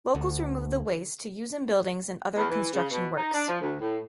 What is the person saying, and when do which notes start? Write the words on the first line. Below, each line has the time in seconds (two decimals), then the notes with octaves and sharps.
Locals removed the waste to use in buildings and other construction works.
0.15 D2
2.35 E2
2.50 E3
2.73 C#3
2.91 B2
3.17 D#4
3.34 D4
3.47 F3
3.61 D2
3.80 A2